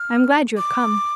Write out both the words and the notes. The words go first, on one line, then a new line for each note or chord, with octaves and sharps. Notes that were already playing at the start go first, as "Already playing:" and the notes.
"I am glad you have come."
Already playing: F6
D6